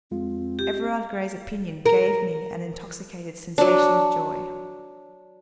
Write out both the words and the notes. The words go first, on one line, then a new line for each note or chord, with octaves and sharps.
Everard Grey's opinion gave me an intoxicated sensation of joy.
F2 G#3 C4 F4
G4
A#4
F#3 D4